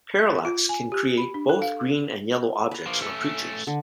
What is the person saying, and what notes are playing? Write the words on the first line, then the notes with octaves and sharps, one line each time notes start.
Parallax can create both green and yellow objects or creatures.
E5
F4
G#5
G4
B5
D4
A4
F5
B4 A#5
F3 A#3
A3 C#4
D3